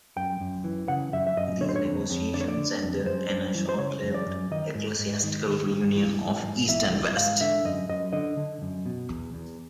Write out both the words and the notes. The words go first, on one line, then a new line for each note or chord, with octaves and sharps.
These negotiations ended in a short-lived ecclesiastical reunion of East and West.
F#2 G5
F#2
E3
C#3 F#5
F#2 E5
E5
F#2 D#5
D3 C#5
C5
C#5
F2
F2
D3 D5
C#5
D5
D3
F2
F#2 C5
F#2
E3
C5
C#3 C#5
F#2
D5
F#2
D#3 D#5
G#2
G#2
D#3
D#3
G#2
E3
G#2
G#2
E3 E5
E3
G#2 F5
D3 E5
F#2 D#5
F#2 D#5
D3 D#5
D3
F#2
B2
E2
E2